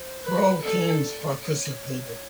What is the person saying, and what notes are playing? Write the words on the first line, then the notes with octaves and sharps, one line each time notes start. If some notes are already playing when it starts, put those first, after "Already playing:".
Twelve teams participated.
Already playing: C5
B4
A4 D5
C#5